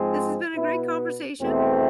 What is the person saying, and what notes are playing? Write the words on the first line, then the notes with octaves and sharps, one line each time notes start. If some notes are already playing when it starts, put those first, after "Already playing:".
this has been a great conversation.
Already playing: G#2 F3 G#3 C4
B2 B3 E4
E2 B2 A3 C4